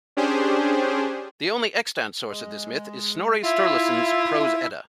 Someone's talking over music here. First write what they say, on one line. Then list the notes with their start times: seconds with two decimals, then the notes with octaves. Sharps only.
The only extant source of this myth is Snorri Sturluson's "Prose Edda".
0.17 C#4 D4 G4 G#4 C5
2.26 G#3
3.44 E4 F4 E5